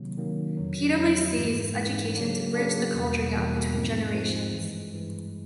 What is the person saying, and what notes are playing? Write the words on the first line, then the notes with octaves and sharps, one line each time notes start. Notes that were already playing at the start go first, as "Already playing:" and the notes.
PwC uses education to bridge the culture gap between generations.
Already playing: C3 D#3 F#3 A#3
C3 D#3 F#3 A#3
F2 D3 F#3
F2 D3 F#3
G#2 E3 G#3
G#2 E3 G#3
C#3 F#3 A#3 D4
C#3 F#3 A#3 D4
E2 B2 G3 A#3
E2 B2 G3 A#3
G#2 F3 G#3 C4
G#2 F3 G#3 C4
G2 E3 G#3
G2 E3 G#3